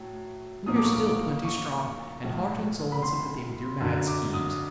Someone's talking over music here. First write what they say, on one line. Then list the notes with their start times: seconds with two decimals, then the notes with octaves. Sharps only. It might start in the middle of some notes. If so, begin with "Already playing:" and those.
We are still twenty strong, and heart and soul in sympathy with your mad schemes.
Already playing: A2 F#3
0.66 B1 A#2 F3 A#3 D#6
0.76 D6
0.83 C#6
0.93 D6
1.06 D6
1.45 C#6
2.23 B1 A2 F3
2.92 B5
3.02 C6
3.80 F#1 F#2 D3
4.07 D6
4.33 D#6